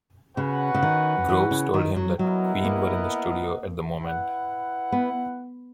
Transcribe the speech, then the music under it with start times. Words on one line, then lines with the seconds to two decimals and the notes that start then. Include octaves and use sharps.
Groves told him that Queen were in the studio at the moment.
0.37 C#3 C#4 F#4 B4 F#5
0.74 C#3
0.83 D#3
1.29 E3
1.51 C#3
1.74 D#3
1.96 F#3
2.19 F#3 B3 E4 A#4 D#5 F#5
2.64 A#3
4.01 E4 B4 F#5
4.92 B3